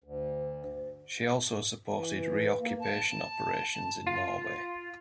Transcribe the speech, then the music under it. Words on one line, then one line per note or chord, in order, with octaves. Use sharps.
She also supported re-occupation operations in Norway.
D2
E3
A#3
A5
F4